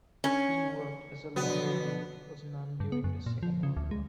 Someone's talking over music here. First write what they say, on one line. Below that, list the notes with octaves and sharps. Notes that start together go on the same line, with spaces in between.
He worked as a lawyer in Poznan during the Second World War.
C#4
B2 D3 F3 F#3 B3
G2
B3
F#2
A#2
F3
C#3
D2
G#3